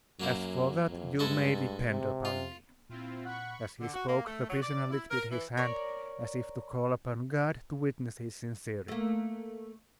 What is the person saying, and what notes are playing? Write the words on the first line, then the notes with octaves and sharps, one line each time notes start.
"As for that, you may depend upon me." As he spoke the prisoner lifted his hand, as if to call upon God to witness his sincerity.
F#2 F#3 A#3 E4
F2
G2 G#3 E4 A4
C3
F4
A#2 C4 E4 F4
F#5 B5 C#6
D3
F#4
A#3
A3
F#3
D5
E4
A#4
E3
A#4 C#5 D5
A3 A#3